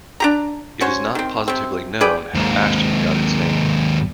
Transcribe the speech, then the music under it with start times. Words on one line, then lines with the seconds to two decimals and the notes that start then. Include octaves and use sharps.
It is not positively known how Ashton got its name.
0.20 D4 G4 A#5
0.81 C#4 F#4 C5 C#5
1.15 D#3 C4
1.48 C3 C4
2.01 G#4 B4 D5 G5
2.35 D#2 G#2